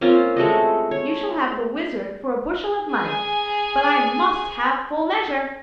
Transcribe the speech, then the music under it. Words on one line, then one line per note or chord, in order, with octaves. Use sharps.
You shall have the wizard for a bushel of money, but I must have full measure.'
A#3 C4 C#4 F4
G#3 A3 F#4 D#5
C#5
G#4 G#5